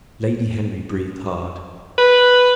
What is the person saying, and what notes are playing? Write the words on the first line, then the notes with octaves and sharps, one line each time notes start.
Lady Henry breathed hard.
B4